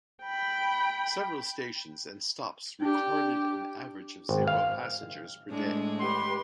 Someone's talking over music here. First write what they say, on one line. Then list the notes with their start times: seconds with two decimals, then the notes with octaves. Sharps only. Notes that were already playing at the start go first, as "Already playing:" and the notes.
Several stations and stops recorded an average of zero passengers per day.
0.23 G5 B5
2.82 D4 G4
4.29 G#1
4.47 F5
5.49 A2 G#3 D4
5.99 G4 B4 C6